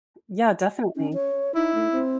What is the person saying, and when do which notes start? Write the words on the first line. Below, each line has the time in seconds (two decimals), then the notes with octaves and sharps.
Yeah, definitely.
0.96 C#4
1.14 C#5
1.55 D#4 E4
1.75 A3
1.91 C4